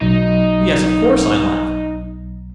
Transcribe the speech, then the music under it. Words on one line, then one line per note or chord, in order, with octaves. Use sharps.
"Yes, of course," I laughed.
B1 D#4